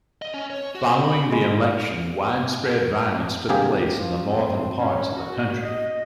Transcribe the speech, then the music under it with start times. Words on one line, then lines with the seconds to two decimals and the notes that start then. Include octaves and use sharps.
Following the election widespread violence took place in the northern parts of the country.
0.22 D#5
0.34 C#4
0.50 C#5
0.75 F#4
0.89 C4
1.04 B5
1.32 G#3
3.49 G#1 G2 C3 A#3 G4 G#4
3.98 F3
4.29 C4
4.79 C#4
5.15 F#4
5.62 D#5